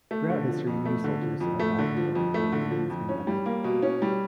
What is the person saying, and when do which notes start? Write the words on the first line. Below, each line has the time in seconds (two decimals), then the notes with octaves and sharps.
Throughout history, many soldiers have died in war with their remains being unidentified.
0.11 A3
0.30 D3
0.48 F3
0.67 F2
0.85 A3
1.04 D3
1.22 F3
1.40 F2
1.59 A3
1.79 D3
1.97 F3
2.15 F2
2.34 A3
2.52 D3
2.71 F3
2.90 F2
3.09 C#4
3.27 G3
3.46 A#3
3.64 B2
3.82 C#4
4.02 G3